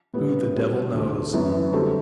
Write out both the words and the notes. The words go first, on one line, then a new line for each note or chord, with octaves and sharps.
Who the devil knows?
A2 G3 B3 E4
A2 G3 C4
D2 D3 A3
F#2 E3 B3 E4
D3 G3 C4 F#4 A4